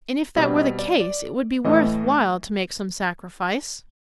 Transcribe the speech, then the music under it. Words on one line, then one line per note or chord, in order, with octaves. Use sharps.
"And if that were the case it would be worth while to make some sacrifice."
B2 G3 C4 D#5
D#5
D5
D5
A2 E3 A3 D#5